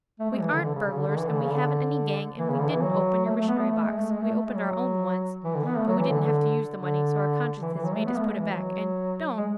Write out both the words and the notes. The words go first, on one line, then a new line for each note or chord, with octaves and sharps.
We AREN'T burglars, and we haven't any gang, and we didn't open your missionary-box. We opened our own once, but we didn't have to use the money, so our consciences made us put it back and--DON'T!
A3
G#3
E3
D3
D3
C#3
C#3
D3
D3
E3
D3
C#3
D3
E3
C#3
D3
E3
F#3
A3
A3
B3
A3
A3
G#3
A3
G#3
A3
A3
G#3
F#3
E3
D3
B3
A3
F#3
E3
D3
D3
D3
E3
E3
F#3
A3
B3
A3
G#3
E3
F#3
G#3